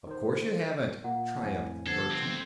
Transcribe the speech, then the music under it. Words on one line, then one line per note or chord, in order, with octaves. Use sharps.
"Of course you haven't," triumphed Bertram.
D#3 C5
A#2 A#3 F#5
F2 A2 G#5
D3 F3 B3 A4 G#6 C7
F2 C4